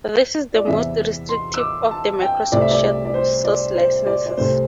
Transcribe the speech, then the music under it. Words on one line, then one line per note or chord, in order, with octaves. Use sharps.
This is the most restrictive of the Microsoft Shared Source licenses.
D5
E2 C3 E3 E5
C6
E6
D6
A5
G5
C2 C3 A3 D5
E5
D5
D5
D5
C5
D5
C5
D5
D5
C2 C3 A3 C5